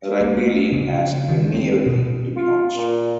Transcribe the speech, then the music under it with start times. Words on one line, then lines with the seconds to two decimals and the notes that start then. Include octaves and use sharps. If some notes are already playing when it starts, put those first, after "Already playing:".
Rugby league has given me everything, to be honest.
0.21 A#3
0.37 A3
0.72 C#3
1.28 D#3
1.54 C4
1.86 B2
2.36 F4
2.76 A#2